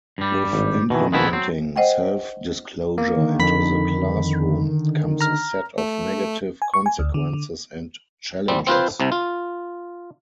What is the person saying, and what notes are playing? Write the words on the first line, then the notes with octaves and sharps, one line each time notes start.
With implementing self-disclosure into the classroom, comes a set of negative consequences and challenges.
G2 G3
G#1
B2 D#3 E3
B2 D#3 G#3 A#3 B3 E4
F#3 C4
C5 D#5 F#5 G5
A#3
D3 D#3
F2 B5 B6
A#5 F6
A3
G#5
C#6
G#5
D2
D3
D3
A1 G3 C4
C4 F4 B4 C5
C2 C3
F4